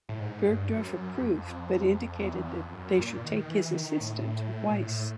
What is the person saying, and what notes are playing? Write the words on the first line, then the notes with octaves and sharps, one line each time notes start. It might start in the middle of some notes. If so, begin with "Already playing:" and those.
Burgdorf approved but indicated that they should take his assistant, Weiss.
A2
G#2
G2
F#2
F#2
F#2
F2
E2
F2
F#2
A#2
D#3
E3
D3
D#3
A2
A#2
A2